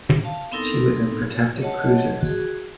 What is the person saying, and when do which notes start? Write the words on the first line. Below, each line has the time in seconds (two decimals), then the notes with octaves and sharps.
She was an protected cruiser.
0.24 F5 A5
0.52 B3 C4 D#4 E4 A4 A#4
1.61 C#5 D#5 F#5 A5
2.21 F#4 G#4